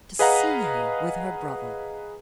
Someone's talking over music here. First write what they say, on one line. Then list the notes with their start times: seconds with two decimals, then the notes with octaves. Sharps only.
To see her with her brother!
0.19 G#4 B4 D#5 F5 F#5 A#5